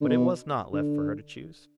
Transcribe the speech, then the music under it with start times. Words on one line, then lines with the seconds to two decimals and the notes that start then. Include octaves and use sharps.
But it was not left for her to choose.
0.01 D3
0.07 B2
0.73 D3